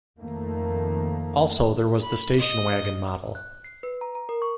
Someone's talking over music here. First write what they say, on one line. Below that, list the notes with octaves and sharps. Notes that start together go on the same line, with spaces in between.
Also there was the station wagon model.
F2 D#3 A3 A#3
B5
D#5
F#6
C7
B4
A#5
A#5
A#4
C#6